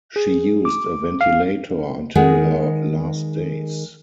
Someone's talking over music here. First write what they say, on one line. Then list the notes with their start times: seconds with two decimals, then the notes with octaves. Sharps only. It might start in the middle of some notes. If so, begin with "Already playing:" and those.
She used a ventilator until her last days.
0.16 G#4
0.65 D6
1.21 F5
2.15 D#3 G#3 G#4 F#5